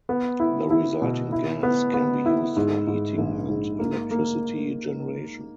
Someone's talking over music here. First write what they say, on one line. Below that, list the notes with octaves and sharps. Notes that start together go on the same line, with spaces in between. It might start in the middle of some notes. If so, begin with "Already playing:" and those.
The resulting gas can be used for heating and electricity generation.
B3
E4
E4
B2
E4
B3
B3
E4
G#2
G#2
A#1
G#2
A#3
A#3